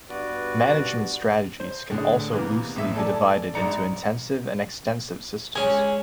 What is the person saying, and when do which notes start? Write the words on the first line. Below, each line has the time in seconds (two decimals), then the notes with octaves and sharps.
Management strategies can also loosely be divided into intensive and extensive systems.
0.09 G2 B3 F#4 B4 D5
1.60 C5
1.90 A2 D3 G#4
2.32 C3 E3 A#3 B3
2.75 A1 A2 E5
2.96 A4 D5 G#5 A5
3.55 A#1 G#2 D5 A#5 C#7
5.56 G#3 C#4 G#5